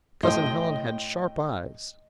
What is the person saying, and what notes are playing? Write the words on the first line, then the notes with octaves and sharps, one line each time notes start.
Cousin Helen had sharp eyes.
A2 D#5 G5 C6